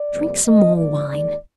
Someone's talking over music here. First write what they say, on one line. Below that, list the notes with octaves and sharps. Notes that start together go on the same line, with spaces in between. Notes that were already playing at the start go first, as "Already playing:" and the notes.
Drink some more wine.
Already playing: D5
F2 C3 G3 A#3
F2 D#3 A#3 D#5
G#2 F3 A#3 D5
D#2 D#3 G#3 D5